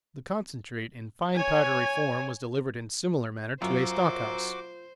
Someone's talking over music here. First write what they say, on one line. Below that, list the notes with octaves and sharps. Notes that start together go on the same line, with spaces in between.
The concentrate, in fine powdery form, was delivered in similar manner to a stock-house.
C#5 G#5
F#2 F4 F#4 C5 D6